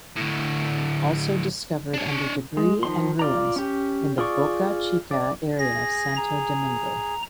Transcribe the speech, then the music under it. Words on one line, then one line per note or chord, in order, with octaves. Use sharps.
Also discovered under debris and ruins in the Boca Chica area of Santo Domingo.
D2 A2
D4 C#5
G#3
D#3 F3 C6
F4 D5 A#5
C#4 G4
F4 G#4 D5 C#6
D5
G#4 A#6
A#5